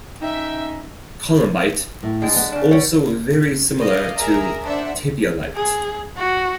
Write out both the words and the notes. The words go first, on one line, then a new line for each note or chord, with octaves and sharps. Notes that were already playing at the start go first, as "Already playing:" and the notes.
Columbite is also very similar to tapiolite.
C#4 D#4 E5 G5
A2
D3 G#3 G5
B3
C#3 D4
G3 C#5 F#5 G5
D5 D#5 F5
G#4 A#4 E5 A#5
D4 C5 E5 F#5
G#4
F#4